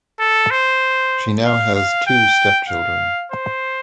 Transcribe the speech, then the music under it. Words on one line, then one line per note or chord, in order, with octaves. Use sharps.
She now has two step children.
A4
C5
F5
F5
G5
F5
C5